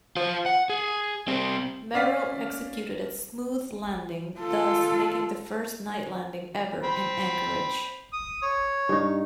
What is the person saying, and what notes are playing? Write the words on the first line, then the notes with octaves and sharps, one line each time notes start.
Merrill executed a smooth landing, thus making the first night landing ever in Anchorage.
F4 C5
F#5
G#4
G3 C4
C#4 D5 F5 F6 B6
F4 A4
C4 B5
D#6
C#5
G2 D#4